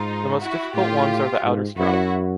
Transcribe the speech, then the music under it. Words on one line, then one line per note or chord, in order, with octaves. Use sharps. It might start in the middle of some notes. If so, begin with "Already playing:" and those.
The most difficult ones are the outer strata.
Already playing: G#2 D#4 F4
E4 F#4
A2 F4 G4
G#2
F#2 E4 F#4